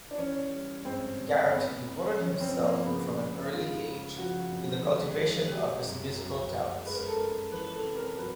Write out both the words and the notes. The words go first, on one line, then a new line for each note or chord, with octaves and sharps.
Garat devoted himself from an early age to the cultivation of his musical talents.
D4
E3 C#4
G3
G#2 C4
G3
C2 B3
C2
F3 C#4
C#4
C4
F3
A#3
C#3 B3
C#3
G#3 F4
C#3
F3 F#4
C2
G#3
G#3
F#3 G4
F#2
F#2
F#2
G#3 B4
A#4
A4
G#3 A#4
E3 B4
A4
C3
A#4
F#3 B4